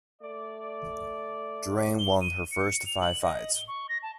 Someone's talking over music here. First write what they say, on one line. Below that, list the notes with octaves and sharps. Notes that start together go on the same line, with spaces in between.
Draine won her first five fights.
A3 D5
G7
D#7
C#7
F7
F#7
D#5
G7
C#6
A#6
A5